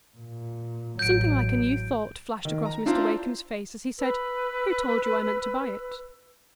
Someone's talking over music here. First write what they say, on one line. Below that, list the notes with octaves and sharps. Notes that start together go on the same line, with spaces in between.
Something like a new thought flashed across Mr. Wakem's face as he said, "Who told you I meant to buy it?"
A#2
A1 F#3 G6 D7
D#3
A#5
D4 E4 F4 C5 D5 A#5
B4 E6